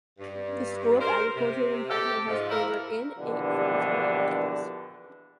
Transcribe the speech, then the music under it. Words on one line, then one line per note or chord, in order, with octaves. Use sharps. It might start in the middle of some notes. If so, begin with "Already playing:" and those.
The school of Agriculture and Environment has over in eight farms around the campus.
G2
A#4 C5
C3
G4 A4
G#2 F3
A#3 E4 A4 A#4
A#1 B2 D3 E3 G3 G4